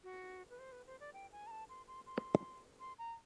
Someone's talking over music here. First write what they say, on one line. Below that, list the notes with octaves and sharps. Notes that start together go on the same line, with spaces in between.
During the competition, it was known as "Herning Stadion".
F#4
B4
C5
B4
C5
D5
G5
G#5
A#5
A5
C6
C6
C6
C6
A#5